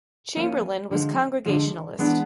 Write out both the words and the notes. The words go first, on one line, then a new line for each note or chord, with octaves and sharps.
Chamberlain was Congregationalist.
F3 A#3 C#4
D3 F3 G#3
D3 F3 G#3
E3 G#3 B3 D4